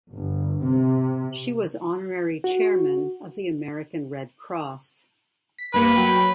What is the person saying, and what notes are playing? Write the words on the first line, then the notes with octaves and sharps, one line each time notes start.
She was Honorary Chairman of the American Red Cross.
G1
C3
F#4
B6
G2 A#3 B4 C#7
F#3 G5